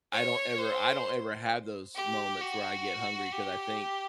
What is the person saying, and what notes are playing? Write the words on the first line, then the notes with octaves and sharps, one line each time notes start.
I don't ever I don't ever have those moments where I get hungry, 'cause I think,
C#5
C5
G4
F#4
G4